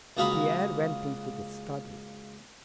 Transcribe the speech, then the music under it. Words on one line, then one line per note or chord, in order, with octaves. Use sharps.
Pierre went into the study.
C#2 A#3 F#4 G#4 F5 B5